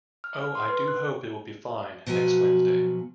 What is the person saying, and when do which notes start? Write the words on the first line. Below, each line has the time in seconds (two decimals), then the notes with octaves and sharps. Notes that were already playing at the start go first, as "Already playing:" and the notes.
Oh, I do hope it will be fine next Wednesday.
0.24 F6
0.39 F6
0.55 C6
0.69 B4
0.88 F#6
2.07 B2 F3 F#3 F#4 G#5